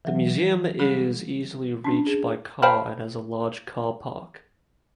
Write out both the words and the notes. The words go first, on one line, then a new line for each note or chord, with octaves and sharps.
The museum is easily reached by car and has a large car park.
E3 F#3
G3 G#4 B5
C#4 D4 A5
G#4
C5 F5 G5 A5 B5 F6